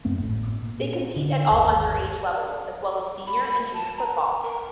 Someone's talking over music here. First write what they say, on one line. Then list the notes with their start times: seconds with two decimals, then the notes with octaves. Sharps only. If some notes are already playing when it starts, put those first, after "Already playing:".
They compete at all underage levels as well as senior and junior football.
0.05 F#2 A3 B3 C4
0.20 G#1 A2
0.62 A#2
1.16 D3
1.51 G1 D#2
3.27 B5
3.45 B5
3.74 A5
3.97 A#5
4.43 A#4